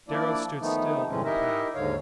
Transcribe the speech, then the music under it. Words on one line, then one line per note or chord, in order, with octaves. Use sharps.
Darrow stood still in the path.
F3 A#3 D4 E4 D5
D#3 F3 A3 B3 D#4
G2 D3 E3 G#3 C4 C#4
D#4 E4 G4 A#4 D#5 E5
D#2 G#2 D3 C#5 F5